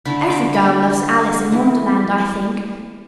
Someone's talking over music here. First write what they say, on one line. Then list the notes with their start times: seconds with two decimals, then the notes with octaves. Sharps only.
Every girl loves 'Alice in Wonderland,' I think.
0.05 D3 A3 E4 B5
0.30 D6
0.54 B5
1.51 E3 B3 E4